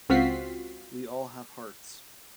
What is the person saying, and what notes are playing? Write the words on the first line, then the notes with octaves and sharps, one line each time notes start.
We all have hearts.
C#2 C4 F4 F#4 B6 C7